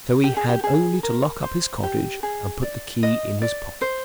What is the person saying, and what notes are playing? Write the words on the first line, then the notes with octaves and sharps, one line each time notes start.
So he had only to lock up his cottage and put the key in his pocket.
G4
G#4
G4
G#4
A#4
C5
G4
G#4
D5
D#5
D5
C5